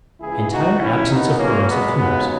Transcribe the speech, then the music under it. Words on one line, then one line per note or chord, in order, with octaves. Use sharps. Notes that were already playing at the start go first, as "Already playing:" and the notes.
Entire absence of corrosive fumes.
C#2 C#3 E3 E4 G#4
D#4 F#4
D#2 C#3 E3 C#4 E4
B3 D#4
E2 B2 F#3 A#3 C#4
G#3 B3
D#2 C#3 F#3 G#3 B3